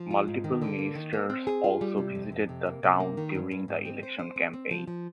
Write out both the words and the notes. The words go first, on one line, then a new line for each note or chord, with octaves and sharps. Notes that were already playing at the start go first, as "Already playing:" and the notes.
Multiple ministers also visited the town during the election campaign.
Already playing: F3
F4
G#2
D#3
D3
A#3
D#3
A#3
C4
G#4
F4
G3
C3
F2
F2
C3
A#3
C3
A#3
D#3
G2
G2
G#2
C4
C5
C5
C4
C4
F3
F3